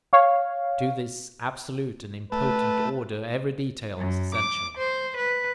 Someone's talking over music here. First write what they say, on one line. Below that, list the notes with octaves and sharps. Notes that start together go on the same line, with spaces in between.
To this absolute and impotent order every detail is essential.
C#5 F5
A3 B4
F#2
D6
C5
B4